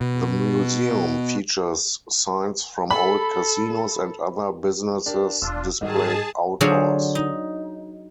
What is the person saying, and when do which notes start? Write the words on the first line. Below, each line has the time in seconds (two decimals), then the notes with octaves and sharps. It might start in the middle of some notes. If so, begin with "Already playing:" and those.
The museum features signs from old casinos and other businesses displayed outdoors.
0.01 B2
2.90 A4 B5
5.06 D4 G4 A#4
5.42 E1 D4 F4 E6
5.81 G#2 D#3 F#3 G3 D#4 G#4 D#5 A5
6.61 D3 F#3 F4 G#4 C5 C#5
7.15 D#4